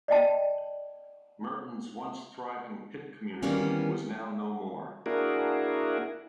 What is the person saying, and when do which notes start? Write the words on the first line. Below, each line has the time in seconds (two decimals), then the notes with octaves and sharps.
Murton's once-thriving pit community was now no more.
0.08 D5 D#5 G5 A5
3.43 D#3 E3 G3 A#3 B3 C#4
5.06 A#3 D4 E4 F#4 G#4 A#4